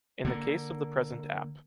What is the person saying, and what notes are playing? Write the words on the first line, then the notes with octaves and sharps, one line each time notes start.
In the case of the present Ap.
D3 A#3